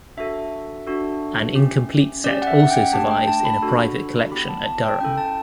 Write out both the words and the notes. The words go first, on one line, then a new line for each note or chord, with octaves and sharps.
An incomplete set also survives in a private collection at Durham.
D4 F#4 A4 E5
D4 F#4 A4
C#4 G4
C#4 G4 D5
F#5
E5
F#5
G5
A3 D4 G4 A5
G5
A5
B5
D4 F#4 A4
B3 E4 G4 B5
A5
A5
G5
C#4 E4 A4 G5
A5